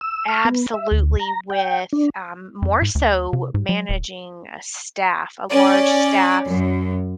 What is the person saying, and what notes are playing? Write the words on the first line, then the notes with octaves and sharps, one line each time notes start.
Absolutely, with, um, more so managing a staff, a large staff
E6
F6
B3
E5
D2
A#5
G5
D4
F2
G#2
D2
C3
G#2
F#3
D1
C#4 D5
F#2